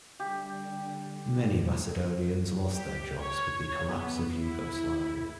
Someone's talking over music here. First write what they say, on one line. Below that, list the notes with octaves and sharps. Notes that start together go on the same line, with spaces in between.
Many Macedonians lost their jobs with the collapse of Yugoslavia.
D3 G3 G4
G4
C#5
B3
E4